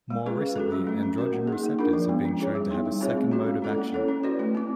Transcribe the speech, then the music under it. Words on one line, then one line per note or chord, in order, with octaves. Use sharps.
More recently, androgen receptors have been shown to have a second mode of action.
G#3
C#4 F4 G#4 B4
G#3
C#4 F#4 A4
F#3
A3 C#4
C#4
F#4 A#4
A#3
D#4 G#4
A#3
D4 F4 A#4
F3
G#3 B3
C#4
E4 G#4 C#5
G3
B3 D#4
G3
C4 F4 G#4 C#5
A3
C#4 F#4
G#3
C#4 E4 A4 D5
A#3
C#4 E4 A4 C#5
C#4
F#4 B4 D5
A3
C4 E4